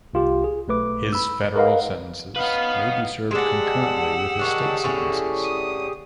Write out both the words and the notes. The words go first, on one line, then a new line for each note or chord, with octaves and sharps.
His federal sentences may be served concurrently with his state sentences.
C2 F4 G4
G#4
B1 A3 B4 D6
B5 E6
A#4 B4 D#5 F5 F#5
B3 C#4 D#4 B4 F5
G#3 D4 G4 G#4 F#5 E6
D#3 C#4 D4
A2 D3 C#4
D#6